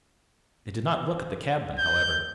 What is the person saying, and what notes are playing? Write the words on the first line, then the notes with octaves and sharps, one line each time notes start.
They did not look at the cabman, however.
G6